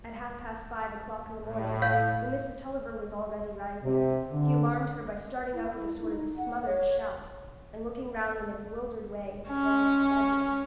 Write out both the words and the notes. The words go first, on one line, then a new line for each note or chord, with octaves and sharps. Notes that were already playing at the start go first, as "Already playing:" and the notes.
At half-past five o'clock in the morning, when Mrs. Tulliver was already rising, he alarmed her by starting up with a sort of smothered shout, and looking round in a bewildered way at the walls of the bedroom.
A2
C#5 F5
C3
D3
E4
D#4
F#5
C#5
C#4